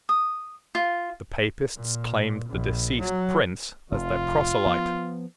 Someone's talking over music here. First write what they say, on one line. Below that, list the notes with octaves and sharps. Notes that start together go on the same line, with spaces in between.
The Papists claimed the deceased prince as their proselyte.
D#6
F4
A#2
A#1
F#3
F1 F4
F3 B3